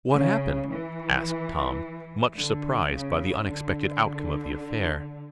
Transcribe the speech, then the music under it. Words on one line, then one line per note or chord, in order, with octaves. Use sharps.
"What happened?" asked Tom, much surprised by the unexpected outcome of the affair.
C#3
E3
D3
C#3
D3